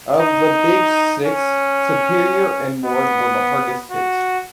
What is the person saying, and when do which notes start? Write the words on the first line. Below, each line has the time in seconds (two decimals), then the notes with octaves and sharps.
Of the "Big Six", Superior and Ward were the hardest hit.
0.21 D#4
1.26 C#4
2.85 B3
3.91 F#4